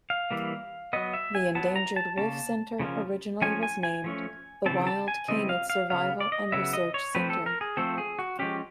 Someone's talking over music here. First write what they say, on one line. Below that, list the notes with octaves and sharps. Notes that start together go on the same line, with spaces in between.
The Endangered Wolf Center originally was named the Wild Canid Survival and Research Center.
F5
E3 G3 A#3
F#3 B3 D#5
E5
G#5
F#3 B3 A5
A#5
A5
C#3 F3 A#3 C#4 A5
C#3 F3 A#3 C#4
F3 A3 C#4 G#5
G#5
G#5
F3 A3 C#4
C#3 E3 G3 C4 A5
A5
G#5
C#3 E3 G3 C4 D#5
F5
F5
C#3 F#3 B3 F5
D5
D#5
C#3 F#3 B3 E5
D#5
C#5
F3 A3 C4 B4
A4
A#4
G#4
F3 A3 C4 A4
G#4
F#4
F3 G#3 C#4 G4